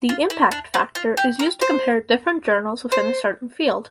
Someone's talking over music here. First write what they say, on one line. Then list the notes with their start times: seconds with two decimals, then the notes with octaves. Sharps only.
The impact factor is used to compare different journals within a certain field.
0.09 F4
0.30 E4
0.51 D4
0.74 C4
0.95 F4
1.17 G4
1.39 A#4
1.61 C5
2.92 C5